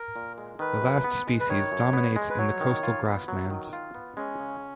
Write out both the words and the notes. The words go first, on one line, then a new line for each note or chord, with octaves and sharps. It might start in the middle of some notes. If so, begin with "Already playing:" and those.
The last species dominates in the coastal grasslands.
Already playing: A#4
A#2
G#3
D#3 B4
F#2
B3
G#3
B4
D#3 C#5
F#2
B3
G#3
B4
F#3 C#5
D#3
F4
B3
F#3
D#3
F4
B3
G#3 C#4
C#3